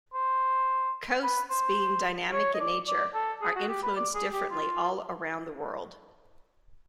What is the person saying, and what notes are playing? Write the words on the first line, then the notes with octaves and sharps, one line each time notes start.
Coasts being dynamic in nature are influenced differently all around the world.
C5
B4
C5
C#5
D#5
D5
D5
A4
G#4
F#4
G4
B4
D5
G#4
G4
F4